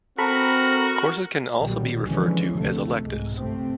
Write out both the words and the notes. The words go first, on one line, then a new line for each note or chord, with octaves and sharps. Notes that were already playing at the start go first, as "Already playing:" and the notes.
Courses can also be referred to as "electives".
C4 F#4 A4 A#4 A#5 B5
B1 A#2 D#3 F#3 G3
D3 E3 F3 G#3 C#4
D2 C3 A3
C2 G#2 G#3
G1 C3 A3 C4